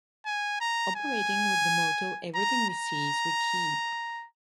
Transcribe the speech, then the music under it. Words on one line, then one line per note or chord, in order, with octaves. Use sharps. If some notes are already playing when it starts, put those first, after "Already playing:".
Operating with the motto Everything we seize, we keep.
G#5
A#5
G#5
A#5
A#5